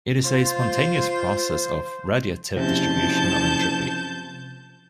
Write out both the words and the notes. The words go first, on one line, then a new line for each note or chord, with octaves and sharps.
It is a spontaneous process of radiative distribution of entropy.
F4 C5
F#1 C3 F3 A5 G6